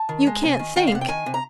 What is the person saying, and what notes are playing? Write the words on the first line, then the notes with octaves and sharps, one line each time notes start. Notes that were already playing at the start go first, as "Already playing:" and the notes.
You can't think.
Already playing: A5
D#3
G#3
C3 G#5
D#3
D#3 G5
F5
C3 F#5
G5
D#3 G#5
C3
A#5